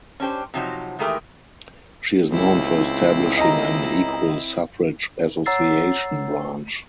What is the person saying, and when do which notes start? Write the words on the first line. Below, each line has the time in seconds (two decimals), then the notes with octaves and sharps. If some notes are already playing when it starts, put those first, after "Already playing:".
She is known for establishing an "Equal Suffrage Association" branch.
0.20 C#4 D4 G4 C5
0.54 C3 F3 F#3 D#4
0.99 D#3 E3 G#3 A3 G4 A#4
2.30 C#2 C4 E4
3.37 D#5 A#5
5.46 C#5 F#5 A#5 E6 A6 C7